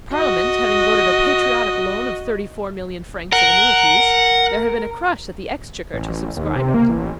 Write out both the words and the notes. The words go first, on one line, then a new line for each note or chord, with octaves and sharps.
Parliament having voted a patriotic loan of thirty-four million francs of annuities, there had been a crush at the Exchequer to subscribe it.
F#4 D#5
A#4 F#5
A1
D#2
C3
A#3
A1